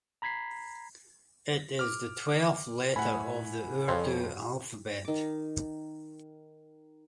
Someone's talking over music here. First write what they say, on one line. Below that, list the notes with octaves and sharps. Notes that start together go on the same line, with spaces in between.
It is the twelfth letter of the Urdu alphabet.
A#5 B5 G#6 B6 C7
D6 F6
A2 F#5 G#5 B5
F2 C#5 C6
D#3 D6